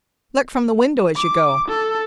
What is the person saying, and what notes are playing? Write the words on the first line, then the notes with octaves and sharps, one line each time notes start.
Look from the window as you go.
D6
A4